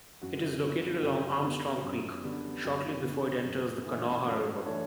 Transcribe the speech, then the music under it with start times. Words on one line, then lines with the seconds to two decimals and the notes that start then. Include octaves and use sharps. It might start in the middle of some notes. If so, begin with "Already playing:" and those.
It is located along Armstrong Creek shortly before it enters the Kanawha River.
0.21 F#2 F#4
0.62 D3 G3 B3
1.02 F#2 G4
1.42 D3 G3 B3
1.83 F#2
2.24 D3 G3 B3
2.64 F#2 G4
3.05 D3 G3 B3
3.45 F#2
3.85 E3 A3 D4
4.25 F#2 F#4 A4
4.66 E3 A3 D4 A4 C#5